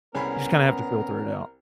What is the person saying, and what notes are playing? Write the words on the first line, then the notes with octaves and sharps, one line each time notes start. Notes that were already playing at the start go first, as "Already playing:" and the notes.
you just kinda have to filter it out.
C2 B3 C#4 G#4 A#4 B5